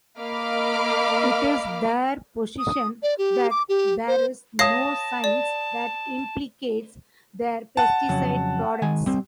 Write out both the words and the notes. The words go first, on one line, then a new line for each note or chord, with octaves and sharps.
It is their position that there is no science that implicates their pesticide products.
A#3 D#5 F5 B5 D6 F6
D#6
D5
G4
D6
G4
C5
C#5 F5 A5 D#6 A#6 C7
D5
F#5 A5
F2 C#3 F#3
D#3 G#3 G#5
G3 C4